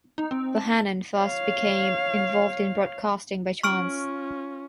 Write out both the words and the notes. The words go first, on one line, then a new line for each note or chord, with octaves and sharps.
Bohannon first became involved in broadcasting by chance.
D#4
C4
A5
C#5 F5
C#4 F4 C#6 F6 D7